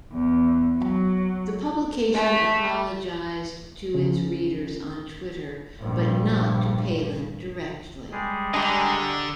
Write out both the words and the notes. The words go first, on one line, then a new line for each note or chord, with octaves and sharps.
The publication apologized to its readers on Twitter but not to Palin directly.
E2
F#3
A3
C#3 F3
A#1 G2
G3 G#3 G#4
D3 D4 G4 D#5 G#5 A#5